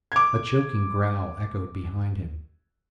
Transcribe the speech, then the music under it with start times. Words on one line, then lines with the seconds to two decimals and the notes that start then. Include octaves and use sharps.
A choking growl echoed behind him.
0.12 D6 G#6